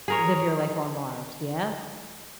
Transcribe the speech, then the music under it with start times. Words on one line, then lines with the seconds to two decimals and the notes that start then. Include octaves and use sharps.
live your life on Mars. Yeah?
0.08 G#4 A#4 C#5